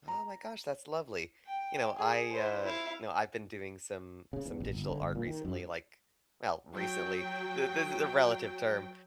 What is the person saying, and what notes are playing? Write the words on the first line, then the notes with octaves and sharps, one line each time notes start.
Oh, my gosh, that's lovely. You know, I, uh, know, I've been doing some some digital art recently, like well, recently, th this is a relative term.
A#5
G5
G#4
E4 C5
E4 F5
C#3
E2
A1
G1
D3
G1
A#2
D#3
F#2
F#3 G5